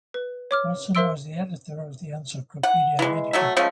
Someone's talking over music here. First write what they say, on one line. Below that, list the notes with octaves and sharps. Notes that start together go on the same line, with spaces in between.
Watson was the editor of the "Encyclopaedia Medica".
B4
C#5 D6 F6
A#4 C5 E5 C6 E6 D7
F#5
E3 G#3
F#3 A3 E5
F3 G#3 A3 C#4